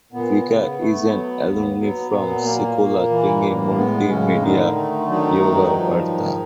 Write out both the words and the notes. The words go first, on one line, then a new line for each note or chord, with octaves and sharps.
Vika is an alumni from Sekolah Tinggi Multi Media Yogyakarta.
A#2 B3
C#3
A3
F#3
D#2
F#3 B3
A#2 B3
A#3
A#2
E3
A2
G#3 B3
A2 C#3 C#4
D3 D#3 D#4
A3
D#3 F#3 D#4
G2
F3
G#2